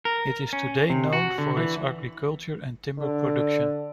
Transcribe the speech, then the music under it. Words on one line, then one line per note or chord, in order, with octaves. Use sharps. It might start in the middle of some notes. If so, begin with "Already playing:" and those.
It is today known for its agriculture and timber production.
A#4
C#4
C3
F#4
D3
E3
D3